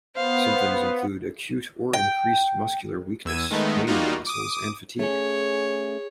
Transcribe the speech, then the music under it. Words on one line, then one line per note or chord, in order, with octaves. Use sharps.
Symptoms include acute or increased muscular weakness, pain in the muscles, and fatigue.
B3 C5 F5
G5
E2 E6 G#6 D#7
D#3 G#3 A3 B3 D#4
G3 A#3 D#4 F4 F#4
D6 D#6
A3 C#4 G#4 C#5